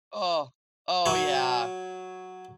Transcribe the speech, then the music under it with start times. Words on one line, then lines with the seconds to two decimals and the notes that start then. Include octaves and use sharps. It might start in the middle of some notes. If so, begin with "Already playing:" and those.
Oh! Oh, yeah.
1.06 F#3 C#5